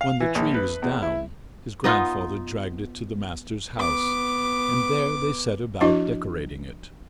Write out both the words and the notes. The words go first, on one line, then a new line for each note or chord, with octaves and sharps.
When the tree was down, his grandfather dragged it to the master's house, and there they set about decorating it.
F5
E3
A#1
B4
E2
E4
B3 D#4 F4
B3 D6
F3 D4 E4 F#4 D#5 D6